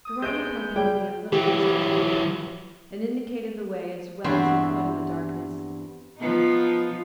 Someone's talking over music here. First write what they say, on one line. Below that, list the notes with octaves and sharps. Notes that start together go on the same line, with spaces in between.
Jerome accompanied me a little distance above camp and indicated the way as well as he could in the darkness.
D#6
G#3 B3 B4 E5 G6 D7
G3 G#4 D5 G5
E3 F#3 G4
E2 G2 C4 F#4 C5 E5
F3 B3 D#4